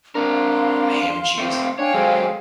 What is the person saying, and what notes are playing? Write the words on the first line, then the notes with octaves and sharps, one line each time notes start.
A ham and cheese
C4 D4 A#4 F5 C6
A3 C4
D4 C#5 F5 G5 G#5
F#3 G#3 A4 C5